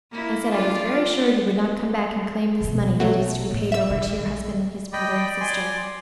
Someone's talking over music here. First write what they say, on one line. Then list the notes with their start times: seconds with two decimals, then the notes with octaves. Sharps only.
I said I was very sure he would not come back and claim this money that is to be paid over to your husband and his brother and sister.
0.12 A#3 E4
0.49 D4 F4
2.60 A#1 B2
3.00 F#3 A3
3.50 A2
3.72 E5 E6
3.89 A#1 D#3
4.93 D5 D#5 G5 B5
5.40 G#5 C6